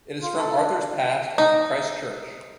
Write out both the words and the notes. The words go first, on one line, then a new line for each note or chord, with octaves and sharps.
It is from Arthur's Pass and from Christchurch.
F4
A4
D4
D#4